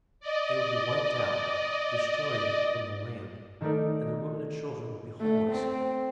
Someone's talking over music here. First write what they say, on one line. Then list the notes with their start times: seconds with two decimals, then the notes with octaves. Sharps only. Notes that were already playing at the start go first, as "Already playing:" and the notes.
They would be wiped out, destroyed from the land, and their women and children would be homeless.
0.20 D5 D#5
3.61 D#3 A3 D#4 A4 A#4 D5
5.20 A3
5.52 C4